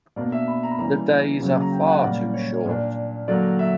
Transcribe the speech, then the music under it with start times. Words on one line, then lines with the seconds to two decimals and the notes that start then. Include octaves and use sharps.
The days are far too short.
0.16 B2 A#3 D4 D5
0.32 E5
0.48 B5
0.63 A#5
0.71 B5
0.79 E3 G3 A#3 C#4 A#5
1.41 C#3 F#3 A#3 C#4
1.62 A#5
1.72 G5
1.88 F#5
2.03 A#2 G3 A#3 C#4 D5
2.34 C#5
2.66 A#2 A#3 D4
3.28 D3 F#3 A#3 D5
3.59 E5